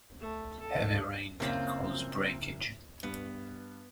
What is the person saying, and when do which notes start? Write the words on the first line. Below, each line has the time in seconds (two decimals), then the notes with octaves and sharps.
Heavy rain can cause breakage.
0.20 A3
0.60 A4
1.40 F#1 A#3 C4 C#4 F4 F5
3.03 G2 B3